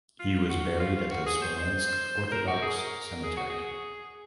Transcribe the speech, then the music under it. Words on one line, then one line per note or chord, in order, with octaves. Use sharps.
He was buried at the Smolensk Orthodox cemetery.
F4
F#4
F4
F4
F#4
G#4
C5
C5
C5
A#4
F#4
G#4
A#4
G#4
F#4
G#4